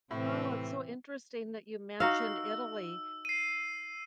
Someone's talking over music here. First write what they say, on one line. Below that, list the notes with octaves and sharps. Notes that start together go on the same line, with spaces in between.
Wow, it's so interesting that you mentioned Italy
A2 C3 E3 C4
D#4 F#4 F5 E6
C7 D#7